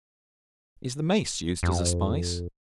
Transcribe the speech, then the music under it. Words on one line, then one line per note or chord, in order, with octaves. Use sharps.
Is the Mace used as a spice?
F2